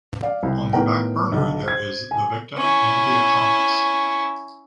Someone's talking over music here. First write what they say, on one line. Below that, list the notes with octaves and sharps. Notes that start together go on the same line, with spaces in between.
On the back burner, there is the victim and the accomplice.
D5 F5
C2
A2 D#3 B3 A#4 G5
B1 D3
C5 G#6
G#5
C#4 E4